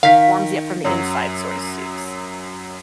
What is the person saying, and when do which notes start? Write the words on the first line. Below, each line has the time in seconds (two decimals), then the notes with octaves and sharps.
warms you up from the inside sort of soups.
0.03 D#3 F5 B6
0.84 F#2 F#3